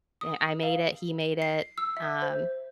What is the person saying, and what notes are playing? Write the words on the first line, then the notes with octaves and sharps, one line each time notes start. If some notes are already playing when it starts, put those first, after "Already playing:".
eh I made it, he made it, um
D#6
F5
C7
E6
E5
C5